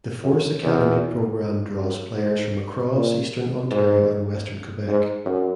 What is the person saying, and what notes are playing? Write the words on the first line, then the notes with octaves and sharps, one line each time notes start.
The Force Academy program draws players from across Eastern Ontario and Western Quebec.
F#2
E2
F#2
G#2
A#2
G#2
G#2
F#2